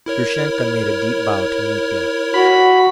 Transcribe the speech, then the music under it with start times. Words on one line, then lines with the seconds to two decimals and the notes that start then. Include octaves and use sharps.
Grushenka made a deep bow to Mitya.
0.06 E4 A#4 C#5
2.34 F#4 B5